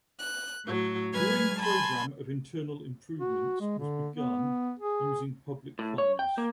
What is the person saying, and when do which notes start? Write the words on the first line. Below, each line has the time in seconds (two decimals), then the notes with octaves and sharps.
During program of internal improvements was begun using public funds.
0.19 F#6
0.66 A2 F#3
1.14 F#3 G#3 B4 G#5 F6 G#6
1.59 G#5 A5 B5 C6
3.19 F#4
3.60 G#3
3.79 D3
4.15 B3
4.79 G#4
5.79 A2
5.98 C#5
6.19 G5
6.38 A#3